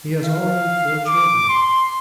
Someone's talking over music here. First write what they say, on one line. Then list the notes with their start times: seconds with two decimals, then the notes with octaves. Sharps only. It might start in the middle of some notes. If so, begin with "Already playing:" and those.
He has already four children.
0.26 F5
1.07 D6
1.49 C6